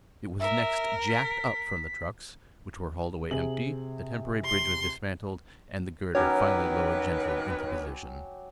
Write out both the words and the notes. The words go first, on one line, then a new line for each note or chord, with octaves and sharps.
It was next "jacked" up from the trucks, which were hauled away empty, the temporary bridge was dismantled, and the girder finally lowered gently into position.
A#4 E5
B6
C3 G#4 F#7
C6
D#3 F#3 B3 C#4 G4 B4 C#5